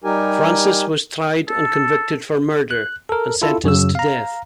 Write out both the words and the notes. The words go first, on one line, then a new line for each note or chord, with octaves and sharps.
Francis was tried and convicted for murder, and sentenced to death.
G3 D#4 G4 A#4 G#5
A4
F#6
A4 A#4
E4 F4 A4
F#2 C#3 F#3 E6
F5 A#5